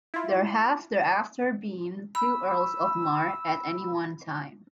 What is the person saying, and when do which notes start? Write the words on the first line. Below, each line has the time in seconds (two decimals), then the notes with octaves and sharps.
There have thereafter been two earls of Mar at any one time.
0.14 E4 F4
2.15 B5 E6